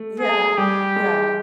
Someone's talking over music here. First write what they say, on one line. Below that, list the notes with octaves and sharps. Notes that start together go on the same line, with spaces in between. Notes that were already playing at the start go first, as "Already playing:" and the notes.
Yeah, yeah.
Already playing: A3
G#4
G3 G4
G#3